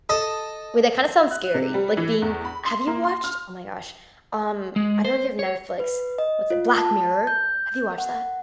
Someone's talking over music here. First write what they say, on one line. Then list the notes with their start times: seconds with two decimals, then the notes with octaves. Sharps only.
Wait, that kinda sounds scary, like, being have you watched oh my gosh, um, I don't know if you've Netflix. What's it Black Mirror! Have you watched that?
0.09 A4 D#5 A5
1.31 F#6
1.54 C3
1.74 G3
1.97 E3
2.22 E2
2.45 B5
2.65 C6
2.87 A#3
3.04 C6
3.24 F6
4.76 G#3
5.05 C5
5.39 C#5
5.80 B4
6.18 D#5
6.50 F4
6.78 A5
7.27 G6
7.98 F#5